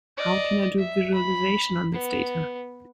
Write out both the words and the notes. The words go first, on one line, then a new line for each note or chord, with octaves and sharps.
How can I do visualization on this data?
D5 D#5
E5
B5
B3